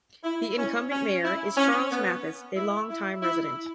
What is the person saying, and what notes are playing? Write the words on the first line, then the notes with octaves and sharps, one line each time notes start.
The incumbent Mayor is Charles Mathis, a long time resident.
E4
C#4
C#4
E4
C#4
B3
E4
E4
E4